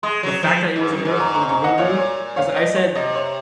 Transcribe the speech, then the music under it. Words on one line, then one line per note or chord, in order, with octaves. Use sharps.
the fact that it was a gir or, like, a girl in the room. 'Cause I said,
G#3 C6 D#6
F#3
F3
G#2
F#2
G#2
A#5 C#6
A#5 C#6
A#5 C#6
D#5 F#5
A#2 C#5 F5
C#5
C#5 F5
D#5
C#5
C3 D#5
C#5